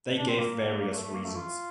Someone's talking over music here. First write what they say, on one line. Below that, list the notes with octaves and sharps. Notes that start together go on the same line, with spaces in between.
They gave various reasons.
D4
C4
A#3
A#3
A3
A3
A#3
A3
F4